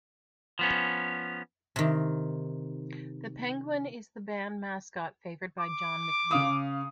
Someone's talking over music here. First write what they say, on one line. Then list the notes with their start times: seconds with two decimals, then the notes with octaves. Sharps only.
The penguin is the band mascot favoured by John McVie.
0.59 F3 B3 C#4
1.76 C3 D#3
5.61 D6
6.31 C#3 F5 D#6